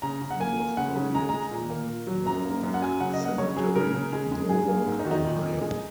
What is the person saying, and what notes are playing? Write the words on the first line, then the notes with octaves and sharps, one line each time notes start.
He was buried in Norwalk Cemetery, Norwalk, Ohio.
C#3 A#5
C#3
F#5
A#3 G#5
A#3
C#3 F#5
C#3
G#3 A#5
G#3 A#5
A#2
A#3
A#2
F#3
F#2 A#5
A#3
F#2
F#5
F#3 G#5
C#3 F#5
D#5
A#3
F#5
C#3 C#5
F#3 G#4
C#3 A#4
C#3
G#3 G#4
G#3
G#2 G#4
A#3
G#2
D#4
D#3 F#4
D#4
A#2
A#2
G#3